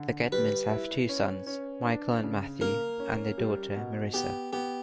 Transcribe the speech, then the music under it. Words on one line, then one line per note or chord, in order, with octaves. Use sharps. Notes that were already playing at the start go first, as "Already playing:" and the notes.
The Gedmans have two sons, Michael and Matthew, and a daughter, Marissa.
Already playing: D3
G3 B4
E4
C#4
C#4
D4
C#3
A#3 A#4
C#4
G3
B2
B3 G4
B3 G4